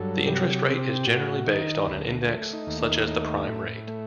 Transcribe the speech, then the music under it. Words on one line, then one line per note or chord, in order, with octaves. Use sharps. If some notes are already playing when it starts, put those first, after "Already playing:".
The interest rate is generally based on an index, such as the prime rate.
Already playing: G2 F#3 A4
C3 G4
C4 G4
A2 F#4
D#3 D#4
D2
A3
D#4
D#2
D#4
A3 D#4
A2
A3